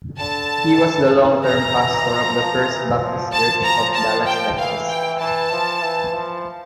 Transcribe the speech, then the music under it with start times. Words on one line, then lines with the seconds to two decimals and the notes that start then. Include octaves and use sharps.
He was the long-term pastor of the First Baptist Church of Dallas, Texas.
0.19 D3 A5
0.82 E3
1.45 A#5
2.07 F3
2.70 E3
3.01 F3
3.32 F3 A5
3.64 A#5
3.95 A5
4.27 G5
4.58 E3 F5
4.89 G5
5.20 E3 A5
5.52 F3
5.83 E3
6.14 F3